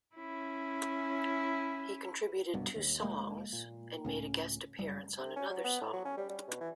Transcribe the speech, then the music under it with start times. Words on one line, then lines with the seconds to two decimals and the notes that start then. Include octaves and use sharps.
He contributed two songs, and made a guest appearance on another song.
0.16 C#4 E4
2.54 C2 G2 B2
2.76 D#2
3.02 F1 G#3 A#3
3.53 A#2
4.05 C#2 A2 C#4
4.79 F#1 G3
5.17 C3
5.36 C#4
5.50 F#3
5.64 B3
5.81 A2
5.93 F#3
6.05 C#4
6.17 G3
6.29 G3
6.48 B2
6.60 E3